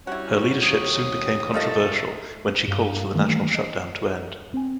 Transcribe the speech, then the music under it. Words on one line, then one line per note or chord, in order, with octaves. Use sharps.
Her leadership soon became controversial when she called for the national shutdown to end.
G3 C#4 E4 F#4 F#5
D#2 D#6
B2 D#3 G3 A3 F4 A4 D#5
G2 F5
D#3 E3 G3 A3 A#3
D#5
C4 G#5